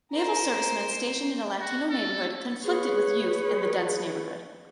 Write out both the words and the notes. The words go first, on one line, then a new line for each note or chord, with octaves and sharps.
Naval servicemen stationed in a Latino neighborhood conflicted with youth in the dense neighborhood.
A#4 C5 A#5
F#4
A4
G#4 B4 C#5